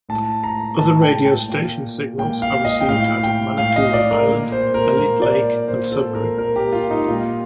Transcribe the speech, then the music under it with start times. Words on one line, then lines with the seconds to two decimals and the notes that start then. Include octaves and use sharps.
Other radio station signals are received out of Manitoulin Island, Elliot Lake and Sudbury.
0.09 A2 A5
0.44 A#5
0.79 A2 A5
1.02 G5
1.25 G5
1.48 A#2
2.18 A#2 G5
2.42 F5
2.65 D#5
2.81 G5
2.88 A2 F5
3.23 G5
3.58 A2 F5
3.76 D#5
3.93 D5
4.11 A#4
4.28 A#2
4.52 C5
4.74 A#4
4.98 A#2 A#4
5.22 D5
5.68 A#2 C5
5.92 A4
6.14 A#4
6.37 A#2 A#4
6.56 G4
6.72 F4
6.90 D#4
7.08 A#2 F4